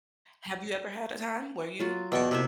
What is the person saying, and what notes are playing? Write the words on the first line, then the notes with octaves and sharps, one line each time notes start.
Have you ever had a time where you
F#3 F4 F#4
E2 B2 G5 A5 C#6
C3 A#3 E4 E5